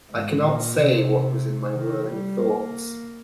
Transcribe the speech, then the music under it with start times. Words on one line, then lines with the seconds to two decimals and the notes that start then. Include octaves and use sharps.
I cannot say what was in my whirling thoughts.
0.10 G#2
0.43 A#2
0.76 C3
1.74 D#3
2.06 G3
2.38 A#3